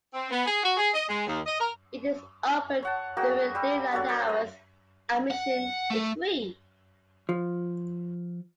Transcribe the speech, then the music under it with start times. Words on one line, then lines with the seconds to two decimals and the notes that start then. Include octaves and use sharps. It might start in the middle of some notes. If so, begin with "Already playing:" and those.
It is open during daylight hours; admission is free.
0.13 C4
0.30 B3
0.45 G#4
0.63 F#4
0.77 G#4
0.93 D#5
1.08 G#3
1.26 D#2
1.46 D#5
1.59 A#4
2.83 C#5 F#5 A5
3.17 A#3 F#4 G#4 G5
3.55 G3 G4 E6
3.92 D4 F#4 A4 C#5
4.09 A#4 C5 D5
4.27 G#3 D#5
5.31 F#5
5.91 A3
7.29 F3